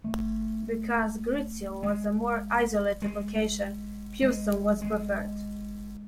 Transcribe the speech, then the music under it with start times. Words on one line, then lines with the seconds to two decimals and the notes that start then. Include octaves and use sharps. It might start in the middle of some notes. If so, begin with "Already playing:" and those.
Because Greetsiel was a more isolated location, Pewsum was preferred.
0.04 A3
1.83 G#3
3.02 G#3
4.22 G#3
4.82 G#3